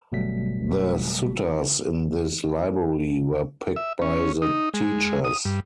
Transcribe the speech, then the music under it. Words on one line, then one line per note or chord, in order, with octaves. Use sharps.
The suttas in this library were picked by the teachers.
G1 B2 F#3 G3 A3 B6
E5
C#4
D#4
G#3
D#6
G2